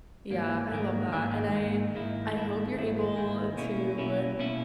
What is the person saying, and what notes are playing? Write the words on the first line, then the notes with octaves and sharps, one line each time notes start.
Yeah, I love that and I I hope you're able to
G#2 D#3 A#3
G#2 D#3 A#3
G#2 D#3 A#3
G#2 D#3 A#3
G#2 D#3 A#3 E4
G#2 D#3 A#3 E4
G#2 D#3 A#3 E4
G#2 D#3 A#3 E4
B2 A#3 C#4 E4
B2 A#3 C#4 E4
B2 A#3 C#4 E4